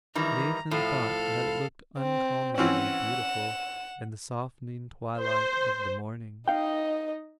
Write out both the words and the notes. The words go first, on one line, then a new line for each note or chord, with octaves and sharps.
Nathan thought that it looked uncommonly beautiful in the softening twilight of the morning.
D#3 E3 G3 A#5
A2 F3 A4 F5
C4
E3 C4 C#4 F#5 E7
C5
D#4 D#5 F5 G5